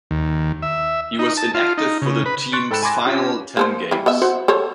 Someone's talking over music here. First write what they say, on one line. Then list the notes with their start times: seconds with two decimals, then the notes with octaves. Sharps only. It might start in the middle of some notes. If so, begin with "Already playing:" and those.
He was inactive for the team's final ten games.
0.11 D#2
0.62 E5
1.19 D#4
1.37 A5
1.54 F4
1.78 D#4
2.02 C#3
2.26 B4
2.52 C6 C#6 F#6 A6 C#7 D7
2.70 G#2 A4 G5 B5 F#6 E7
2.83 G#5 B5 C6 D6 G#6 A#6
3.06 C#4 F4 G4
3.57 A#3 A4 C5
3.91 E3 G3
4.06 B3 D#5 E5
4.22 F#4 C5 F#5
4.48 A4 C5 C#5